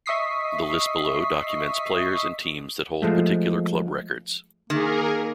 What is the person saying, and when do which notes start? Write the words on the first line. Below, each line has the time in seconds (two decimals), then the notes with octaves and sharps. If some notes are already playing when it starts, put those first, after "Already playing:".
The list below documents players and teams that hold particular club records.
0.06 D#5 E5 C#6 D#6 B6 C7
3.02 F3 G#3 A3
4.70 D#3 A#3 G#4 A#4